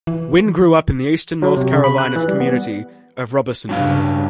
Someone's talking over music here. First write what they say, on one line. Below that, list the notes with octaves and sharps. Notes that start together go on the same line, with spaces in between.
Wynn grew up in the Eastern North Carolina community of Robersonville.
E3
F#3
C3
C#3
B5
F#6
E3
G3
B3
G2 C#3 F#3 D4 F5